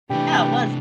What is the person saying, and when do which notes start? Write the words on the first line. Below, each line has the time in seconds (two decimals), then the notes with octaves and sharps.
Yeah, it was.
0.10 C3 E3 A3 D4 G4 B4